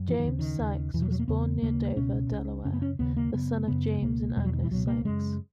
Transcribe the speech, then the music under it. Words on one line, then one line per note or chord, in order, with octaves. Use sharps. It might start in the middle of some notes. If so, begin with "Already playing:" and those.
James Sykes was born near Dover, Delaware, the son of James and Agnes Sykes.
Already playing: F#2
E3
D#3
D#2 C#3
D#3
D#2 C#3
E2 B2 E3 F#3
F#3
A#3
E2 C#3 B3
D#2 C#3 A#3
C#2 B2 C#4
C#2 C#3
F#2 C#3 C#4
B3
C#4
D#2 C#3 B3
A#3
F#2 C#3 B3
F#2 C#3 B3
C#2 B2 A#3
E2 B2 G#3
F#3
D#3
E3
C#2 B2 F#3
A#3
F#2 C#3 G#3